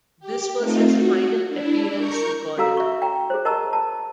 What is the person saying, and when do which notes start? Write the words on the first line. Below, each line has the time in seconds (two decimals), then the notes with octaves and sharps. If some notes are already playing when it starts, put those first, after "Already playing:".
This was his final appearance recorded.
0.20 G4
0.58 A3 C4 D#4 F4
0.89 F#4
1.48 D4 E4
1.96 A#4 C#6 G6
2.57 C#4 F#4 A4 F5 A#5 E6
2.77 E5 C#6
3.02 G5 A#5
3.30 G#4 C5
3.45 A#4 D#5 A5 A#5 C#6 E6
3.73 A5